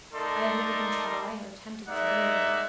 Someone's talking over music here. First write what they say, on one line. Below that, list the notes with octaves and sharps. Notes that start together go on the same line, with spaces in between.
I have never been tried or tempted severely.
A3 D#4 A4 A#4 D5 C6
G#3 A#3 D#4 D5 E5 F#5